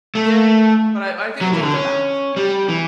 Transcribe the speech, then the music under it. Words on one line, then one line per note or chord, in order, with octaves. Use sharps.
Yeah. But I I think it's always a balance, really.
A3
F#3
E3
D3
C#4
G3
E3